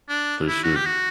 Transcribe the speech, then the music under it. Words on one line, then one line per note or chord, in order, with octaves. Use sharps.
For sure.
D4
E4
F#4
G4
F#4